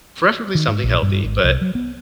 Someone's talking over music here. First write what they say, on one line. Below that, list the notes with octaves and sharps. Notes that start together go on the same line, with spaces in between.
preferably something healthy, but
D#3
G#2
A#1
G2
G#1
C2
F#3
B3